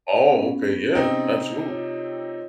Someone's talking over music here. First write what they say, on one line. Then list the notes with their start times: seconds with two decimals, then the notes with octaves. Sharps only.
Oh, okay yeah, absolutely,
0.27 B3 C#4 G#4
0.95 C3 C4 D#4
1.65 F4 C#5 D#5